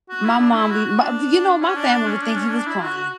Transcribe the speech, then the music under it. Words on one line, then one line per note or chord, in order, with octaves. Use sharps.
my mom be ma b you know, my family would think you was playing.
F#4
E4
D4
E4
F#4
F#4
D4
C#4
D4
D4
C#4
D4
C#4
D4
E4
F#4
F#4